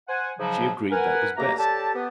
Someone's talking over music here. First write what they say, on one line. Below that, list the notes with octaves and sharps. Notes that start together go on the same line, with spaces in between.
She agreed that was best.
C5 F#5 G#5
G#2 C#3 F3 F#3
A#4 B4 F#5 G#5
B2 D3 A3 A#3 G4 A#5
G4 A4 C#5 D5 A5
B3 G4